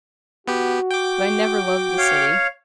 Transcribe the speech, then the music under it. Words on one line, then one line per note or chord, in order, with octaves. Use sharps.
But I never loved the city.
B3 F#4 G4
G5 D6
C#5 F5